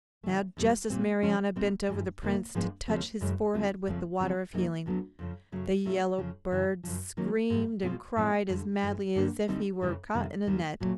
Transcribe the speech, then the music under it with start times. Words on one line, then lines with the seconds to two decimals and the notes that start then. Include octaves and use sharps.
Now just as Marianna bent over the Prince to touch his forehead with the water of healing, the yellow bird screamed and cried as madly as if he were caught in a net.
0.23 C#3 E3 A3
0.57 E2 B2 G3
0.90 A#2 G3 C4
1.23 C#3 F3 G#3 C#4 F4
1.56 A#2 G3 C4 D#4
1.89 G2 E3 G#3
2.22 F2 C3 D#3 G3 A#3
2.55 G#2 F3 G#3 B3 D4
2.88 D#2 C#3 F3 G#3 C4
3.21 F#2 C#3 E3 G#3 C#4
3.54 D#2 D3 G3 C4 F4
3.87 F2 C#3 F3 A3 C4
4.20 C#3 F3 G#3 C4
4.53 E2 B2 F#3 A#3 D#4
4.86 D2 D3 F#3 B3
5.19 F2 C#3 F3
5.52 F#2 C#3 F#3 A3
5.85 B2 F#3 A3 C#4 F4
6.18 F2 C#3 F3
6.51 F#2 C#3 E3
6.83 F#2 C#3 F3
7.17 D#3 F#3 A#3 C#4 F4
7.50 G#2 E3 G3
7.83 B2 G#3 C4 F4
8.16 A2 F3 A3 C4 E4
8.49 F2 D3 G3
8.82 G2 E3 G#3
9.15 G2 D3 G3 A#3 D4
9.48 D2 D3 G3 C4 D#4
9.81 F2 C#3 E3 G3
10.14 F2 C3 D#3 G3
10.47 D#2 D#3 G3
10.80 A#2 F#3 A3